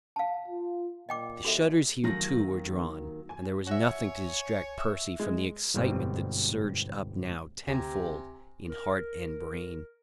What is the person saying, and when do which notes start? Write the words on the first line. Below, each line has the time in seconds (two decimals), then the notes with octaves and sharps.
The shutters here, too, were drawn; and there was nothing to distract Percy from the excitement that surged up now tenfold in heart and brain.
0.16 F5 A5
0.48 F4
1.09 A#2 D#5 G5 D6
1.45 D#2 F#4 A4 E5
2.04 D#2 G#2 D#3 F#3 A#6
3.29 G#5
3.67 F#4 C#5 E5 G#5
4.78 E5
5.20 G#3
5.74 G1 G#2 B2 G3 C4
7.67 D2 C3 G4 G#5 A#5
8.69 A#4